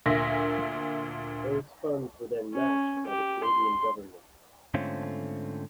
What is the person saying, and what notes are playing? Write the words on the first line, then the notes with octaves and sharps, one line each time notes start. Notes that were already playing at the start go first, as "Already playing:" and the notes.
Those funds were then matched by the Canadian government.
D2 A#2 E5 A#6
C#4
G4
C6
G#2 D3 A3 C4 C#4 F4